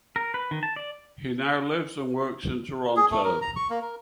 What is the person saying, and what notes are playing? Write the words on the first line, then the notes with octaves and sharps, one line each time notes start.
He now lives and works in Toronto.
A#4
B4
D#3
A5
D5
G#4
A3
A#4
A#5
C#6
A#3
A#4